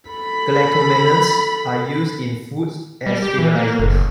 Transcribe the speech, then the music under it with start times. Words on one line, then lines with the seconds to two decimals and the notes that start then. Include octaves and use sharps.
Galactomannans are used in foods as stabilisers.
0.11 A4 B5
3.06 G3
3.22 G4
3.39 E3
3.55 A#3
3.79 F#1